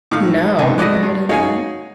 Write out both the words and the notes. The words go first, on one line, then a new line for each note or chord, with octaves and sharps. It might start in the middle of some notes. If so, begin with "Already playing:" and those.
No, never heard of that.
A2 D#3 F5
C#2 G#2 C3 G#5
A2 G#3 F#4 D5 D#5 F#6
G2
D#4 F#4 G#4 C#5 F5 G#5